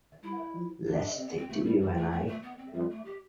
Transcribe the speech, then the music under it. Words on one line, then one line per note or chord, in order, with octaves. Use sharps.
Let's stick to you and I.
G3 E4
F3
E3 D4
C3 C4
B3
C4
B2 A3
G3
E2 G3
A3
A3
A3
B3
C4
F2 G3
A3
G4